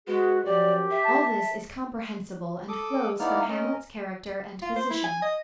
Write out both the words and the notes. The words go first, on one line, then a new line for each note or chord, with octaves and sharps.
All this is comprehensible and flows from Hamlet's character and position.
G#3 B3 F#4 G#4
F#2 F3 G4 D5
E5
A5
A4 D6 D#6
A#3 B3 D#4 E4 D5 F6
C#4 A#4 D#5
F4
C5
E4
G#5
D#5